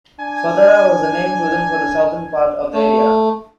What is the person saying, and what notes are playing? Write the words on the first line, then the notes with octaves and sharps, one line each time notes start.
"Swatara" was the name chosen for the southern part of the area.
D4 G#5
A3